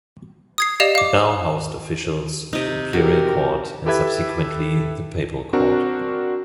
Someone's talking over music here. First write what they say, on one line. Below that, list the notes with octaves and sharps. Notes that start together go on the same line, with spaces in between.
It now housed officials of the imperial court, and subsequently the papal court.
D#6 G#6 C7
G4 D5 D#5 F5 E7
F5 D6
C3 D#4
F#4 G4 A#4
E4 G4 A4 B4 E5 G#6
C4 D4 F#4 A#4